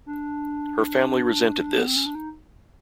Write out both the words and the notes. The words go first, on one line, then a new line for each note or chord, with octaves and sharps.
Her family resented this.
D4
B3
C4
C#4
D4
D#4